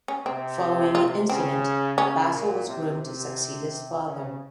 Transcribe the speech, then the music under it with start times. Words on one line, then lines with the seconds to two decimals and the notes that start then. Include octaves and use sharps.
Following the incident, Bassel was groomed to succeed his father.
0.08 C#4
0.26 C3 C4
0.95 F4
1.29 C#3 C4
1.98 C#3 C#4
2.33 A#2
2.67 C3
3.01 C3
4.05 C#3